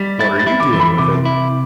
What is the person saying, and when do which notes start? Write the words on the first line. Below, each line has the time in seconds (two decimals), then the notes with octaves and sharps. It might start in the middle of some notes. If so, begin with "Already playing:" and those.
"What are you doing with it?"
Already playing: G3 B6
0.19 E4 A6
0.39 A6
0.47 E4
0.60 D6
0.73 E3
0.80 B5
0.98 C3 D6
1.25 E4